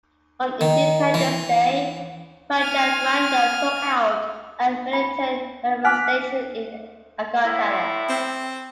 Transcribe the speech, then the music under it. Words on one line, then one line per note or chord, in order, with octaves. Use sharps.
On Independence Day Prajamandal took out a militant manifestation in Agartala.
D#3
E3
G#5 F6
B5
G#5 D6 F6 F#6 B6
A2 E4
C4